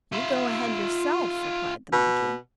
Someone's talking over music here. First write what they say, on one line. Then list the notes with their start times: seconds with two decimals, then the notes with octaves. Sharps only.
"You go ahead yourself," replied the monkey.
0.13 F4 E5
1.92 B2